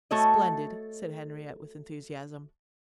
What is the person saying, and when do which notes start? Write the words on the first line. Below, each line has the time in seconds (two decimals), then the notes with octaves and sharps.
"Splendid!" said Henriette, with enthusiasm.
0.11 A3 F#4 A4 C#5 D#5